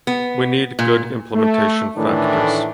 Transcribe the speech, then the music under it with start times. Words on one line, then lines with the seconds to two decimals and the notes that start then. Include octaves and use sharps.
We need good implementation factors.
0.07 B3
0.79 A#2
1.34 A3
1.97 A2 D#3 E3 A3 D4